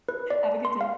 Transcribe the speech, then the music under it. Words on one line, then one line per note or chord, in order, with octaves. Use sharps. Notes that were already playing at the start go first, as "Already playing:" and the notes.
Have a good day.
B4
D5
C6
F5